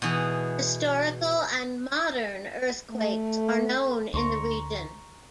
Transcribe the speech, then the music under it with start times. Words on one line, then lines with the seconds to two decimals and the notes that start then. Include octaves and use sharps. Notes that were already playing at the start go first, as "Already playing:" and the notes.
Historical and modern earthquakes are known in the region.
0.02 B2 E3 G#4
2.91 A3
4.14 D2 A#5 C6 C#6